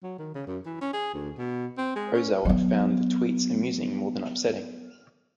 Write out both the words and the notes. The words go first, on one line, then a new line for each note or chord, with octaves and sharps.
Ozawa found the tweets amusing more than upsetting.
F#3
D#3
C#3
F#2
E3
C#4
G#4
D2
B2
C4
G#3
C#4
F#3 B3